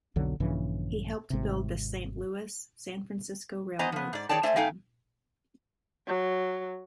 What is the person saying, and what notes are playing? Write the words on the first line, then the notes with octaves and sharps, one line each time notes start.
He helped build the Saint Louis-San Francisco Railroad through town.
B1 F2 D3 F#3
A#1 G2 C#3 E3
G#1 C3
B3 C5 D#5 G#5 A#5
F3 B3
G#2 D5
G#4 C#5 D5 G5 A5
A3 C5 D5 E5 G#5
A3 D#4 F5 G5 G#5
F#3